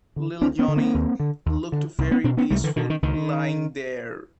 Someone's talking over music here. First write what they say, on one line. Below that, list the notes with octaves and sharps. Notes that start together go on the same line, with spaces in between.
Little Johnnie looked very peaceful lying there.
D3
D2 C4 D4
B3 C#4
D3
A#3 C4
D#2
D3
D#2
D3
C2
B3 C#4
B2 C4 D4
B3 C#4
C2 G3 A3
D3 E3
B2 D#3
D#3
C#2 D#3